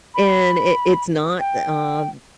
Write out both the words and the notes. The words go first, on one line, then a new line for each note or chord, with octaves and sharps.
and it it's not, uh,
B5
G5